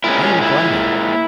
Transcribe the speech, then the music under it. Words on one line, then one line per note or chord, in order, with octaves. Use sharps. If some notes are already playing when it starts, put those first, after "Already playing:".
"I am glad."
A#2 G#3 C#4 E4
C#4
E4